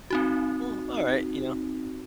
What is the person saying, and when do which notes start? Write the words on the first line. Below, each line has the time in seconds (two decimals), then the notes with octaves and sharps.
Well, alright. You know?
0.10 C4 D#4 F#4